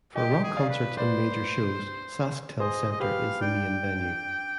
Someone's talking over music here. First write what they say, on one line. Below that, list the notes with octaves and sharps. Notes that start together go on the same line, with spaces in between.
For rock concerts and major shows, SaskTel Centre is the main venue.
G4 D#5 G5
G#4
D5 F5
B4
B4 C5 D5
G#4 C5 D#5
D#5
G4 B4 F5
D4 G5